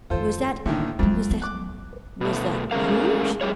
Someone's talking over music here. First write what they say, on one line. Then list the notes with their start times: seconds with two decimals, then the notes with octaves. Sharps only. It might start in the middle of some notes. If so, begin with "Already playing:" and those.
Was that--was that--was that rouge?
0.10 F2 D#3 F4 A4 C5
0.66 A2 D3 D#3 A#3
0.99 F2 F#3 G#3
1.30 F#3 B3
1.42 D6 F#6
2.21 B2 A3
2.71 G#3 A3 C#4 G#4 A#4 F5
3.41 G3 G#4 C#5